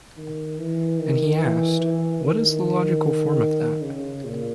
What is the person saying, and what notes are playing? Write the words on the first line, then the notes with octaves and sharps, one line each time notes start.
And he asked: 'What is the logical form of that?
D#3
E3
D#3
E3
E3
D#3
C#3
A#2